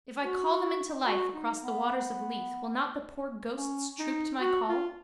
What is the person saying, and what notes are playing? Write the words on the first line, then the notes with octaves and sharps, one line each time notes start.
If I call them into life across the waters of Lethe will not the poor ghosts troop to my call?
F#4
F#4
D#4
B3
C#4
D#4
F#4
F4